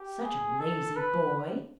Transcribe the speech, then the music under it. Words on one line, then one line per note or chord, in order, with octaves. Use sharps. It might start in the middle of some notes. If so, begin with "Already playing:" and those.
Such a lazy boy!
Already playing: G4
G#4
A4
B4